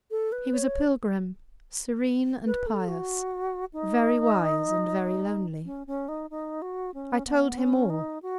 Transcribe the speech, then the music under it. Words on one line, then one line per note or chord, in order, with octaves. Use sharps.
He was a pilgrim serene and pious, very wise and very lonely. I told him all.
A4
B4
C#5
B4
A4
F#4
D#4
C#4
C#4
D#4
D#4
F#4
C#4
B3
C#4
D#4
F#4